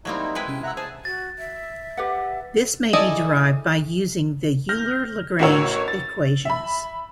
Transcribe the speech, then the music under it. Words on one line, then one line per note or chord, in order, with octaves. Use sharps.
This may be derived by using the Euler-Lagrange equations.
F#3 G3 A#3 C4 D#4 E4
G#3 E4 B4 G5
C3 C#4
E5 F#5 A#5 E6 F#6
G#4 C5 A5
F#4 A6
E5
G4 B4 F#5
E4 G#4 A4 D5 D#5
F6 G6 A#6
A1 D4 F#4 A#4 C#5 E6
A6
E5 B5